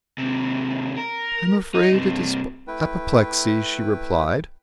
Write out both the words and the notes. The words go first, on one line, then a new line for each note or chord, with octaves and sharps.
"I'm afraid it is apoplexy," she replied.
D#2 C3
A#4
D#4
G2 C3
A3 E4 B4 G5